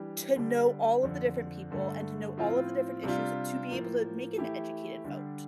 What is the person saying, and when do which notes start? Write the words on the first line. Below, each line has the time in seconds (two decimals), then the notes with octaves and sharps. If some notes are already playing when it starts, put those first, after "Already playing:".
to know all of the different people and to know all of the different issues to be able to make an educated vote.
Already playing: E3 G3 D4 G4
0.36 D3 G3 D4 G4
1.03 F2 D3 F3
1.71 G2 D3 A3
2.37 A2 F3 C4 F4
3.04 C3 G3 D4 F4
3.71 A2 F3 A#3
4.38 E3 A3 E4 G4
5.04 D3 G3 D4 G4